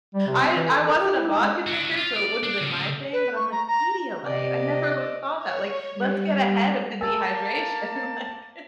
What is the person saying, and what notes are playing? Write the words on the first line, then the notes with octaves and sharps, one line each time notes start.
I I wasn't a vodka drinker, so it wouldn't have been my thing, but I'm like, "Pedialyte, I never would have thought that." Like, let's get ahead of the dehydration, like
G3
C3
C4
E3
A4
A#4
G4
E4
D#4
G#3
D4 F#4
F4
D5
D4
A2 C#3
B4
C#6
A#5
A#5
C3 D5 D#5
C#5
G3
A#3 A#4 G#5 A5 E6